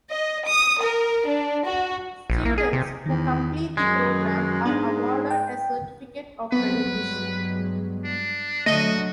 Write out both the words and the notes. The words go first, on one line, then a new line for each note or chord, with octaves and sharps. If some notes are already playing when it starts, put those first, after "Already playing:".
Students who complete the program are awarded a certificate of recognition.
D#5
D#6
A#4
D4
F#4
A#1
A#3
G#4
C3
E2 D#3
F#2 G#3
G#2 B3 D4
G5
F#3 A3 B3 C4 B4
G2 F#3 G#3
D4
D3 F#3 A3 F#4 D#5